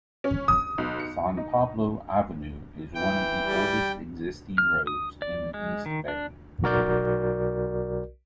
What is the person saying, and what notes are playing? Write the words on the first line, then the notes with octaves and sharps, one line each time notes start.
San Pablo Avenue is one of the oldest existing roads in the East Bay.
C#4
D#6
B1
C#7
D#4
E3 G5
G3
F6
D#6
D5
G#3
D#3
D4
B1 F#4 A#4 D5 G6